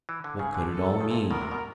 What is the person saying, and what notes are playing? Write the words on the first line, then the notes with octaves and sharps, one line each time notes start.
What could it all mean?
E3
D3
C#3 G#4
D3
A4
D#3
A#2
B2 A#4
C3
B2